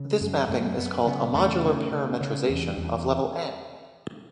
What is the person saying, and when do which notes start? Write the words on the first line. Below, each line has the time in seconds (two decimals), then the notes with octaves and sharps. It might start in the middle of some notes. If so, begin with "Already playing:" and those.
This mapping is called a modular parametrization of level "N".
Already playing: C#3
0.21 F#2
0.49 F#2 A3
0.78 F#2 B3
1.06 C#3 B3
1.35 E2 A3
1.63 C#3
1.92 C#3
2.21 C#3
2.49 E2
2.77 E2